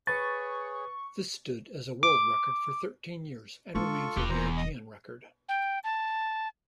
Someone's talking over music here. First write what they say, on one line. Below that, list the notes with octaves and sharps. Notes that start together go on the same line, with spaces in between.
This stood as a world record for thirteen years and remains a European record.
G#4 B4 C#5 C#6 A6
D6
G#3 D4 F4 A4 C#6
E1 G4 B4
E2 C5 A#5
D#5 D#6
G5
A5